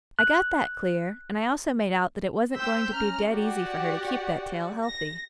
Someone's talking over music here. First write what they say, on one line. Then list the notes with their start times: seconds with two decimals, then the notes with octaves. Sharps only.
'I got that clear, and I also made out that it wasn't going to be dead easy for her to keep that tail healthy.
0.19 F#6
2.55 C5 G5 E6 G6 B6
2.92 C#4 A#5 F6
3.28 F#4 G4 D5 F#5
4.85 A#6